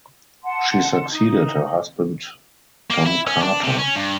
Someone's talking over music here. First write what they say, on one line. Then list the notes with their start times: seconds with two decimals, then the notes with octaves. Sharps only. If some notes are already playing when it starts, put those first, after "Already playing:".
She succeeded her husband Tom Carter.
0.44 F#5 A5 C6
1.11 D#4
2.90 A#3
3.06 E4
3.27 C#4
3.42 D4
3.64 C3
3.78 C#4
3.96 G2